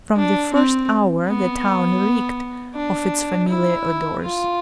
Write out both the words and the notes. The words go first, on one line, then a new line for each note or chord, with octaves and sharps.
From the first hour the town reeked of its familiar odours.
D4
C4
B3
D4
E4
F4